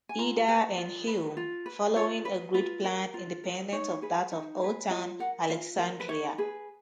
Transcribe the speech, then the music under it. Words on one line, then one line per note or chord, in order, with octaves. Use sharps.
Ida, and Hume, following a grid plan independent of that of Old Town Alexandria.
G#5
F4 A#5
B4 G#5
F4
B4
F4
B4
F4 C#5
B4
F4 B4
A#4
F4
A#4
D#4 C#5
G#4 B4
D#4
G#4 B4
F4 D#5
A#4 F#5
F4 F5
A#4
B4
D#4 C#5
G#4 B4